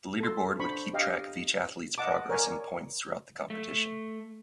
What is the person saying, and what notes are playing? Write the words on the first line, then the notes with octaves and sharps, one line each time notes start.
The Leaderboard would keep track of each athletes progress in points throughout the competition.
A4 C6
D4 C5 B5 C#6
G4 D#5 F5 G5
D#5 F#5 A5 D6
A#4 C#5 D5 G#5
A3